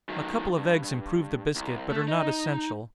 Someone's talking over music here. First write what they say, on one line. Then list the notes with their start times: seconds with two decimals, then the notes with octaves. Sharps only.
A couple of eggs improve the biscuit, but are not essential.
0.09 D#3 F#3
0.57 G2
1.56 C2
1.90 A3
2.08 D#4